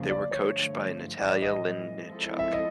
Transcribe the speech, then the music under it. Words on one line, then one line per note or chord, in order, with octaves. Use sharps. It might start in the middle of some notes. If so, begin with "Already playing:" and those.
They were coached by Natalia Linichuk.
Already playing: E2 C#3 F3 A#3
D5
G2 D3 F3 A3 D4 C#5
A2 E3 G3 D5
D#5
F3 G#3 C4 E4 A4
E5
D#5